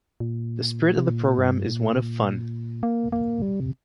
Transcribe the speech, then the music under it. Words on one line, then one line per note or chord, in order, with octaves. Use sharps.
The spirit of the program is one of fun.
A#2
C3
A#2
G2
A#2
A#3
A#3
G3
C3